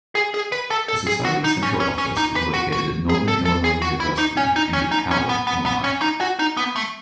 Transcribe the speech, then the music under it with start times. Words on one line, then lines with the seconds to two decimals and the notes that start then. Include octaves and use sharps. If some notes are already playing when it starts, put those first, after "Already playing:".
The Society's central office is located at Northern Illinois University in DeKalb, Illinois.
0.15 G#4
0.34 G#4
0.52 B4
0.70 A4
0.88 A4
1.07 G#4
1.25 F#4
1.44 D#4
1.63 C#4
1.80 C#4
1.98 C#4
2.17 D#4
2.36 B4
2.54 F#4
2.72 F#4
3.09 G#4
3.28 A4
3.45 A4
3.64 G#4
3.82 F#4
4.00 E4
4.18 D#4
4.37 C#4
4.56 D#4
4.73 C#4
4.92 D#4
5.11 C#4
5.29 B3
5.47 B3
5.66 B3
5.84 C#4
6.01 D#4
6.21 F#4
6.39 D#4
6.57 B3
6.76 A3